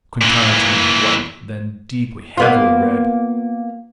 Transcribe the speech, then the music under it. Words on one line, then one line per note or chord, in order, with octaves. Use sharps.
Quintana turned white, then deeply, heavily red.
A#2 E3
A#3 B3 F4